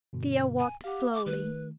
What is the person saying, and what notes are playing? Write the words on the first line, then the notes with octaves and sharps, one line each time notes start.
Thea walked slowly.
G2 B2 D3
G#5
G4 F5 F#5
D6
D#3 A3 B4